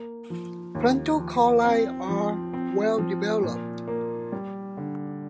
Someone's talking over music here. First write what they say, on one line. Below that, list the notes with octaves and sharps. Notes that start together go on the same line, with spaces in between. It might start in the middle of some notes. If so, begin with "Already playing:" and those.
Frontal calli are well developed.
Already playing: A#3
F3
D#2
F3
C4
F3
C4
F3
A#2
A#3
G3
D3